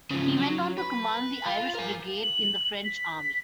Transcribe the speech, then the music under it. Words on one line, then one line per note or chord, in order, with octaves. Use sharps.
He went on to command the Irish Brigade in the French army.
C#3 F3
F#3
B4
F4
A#4 G#5
F#7
B6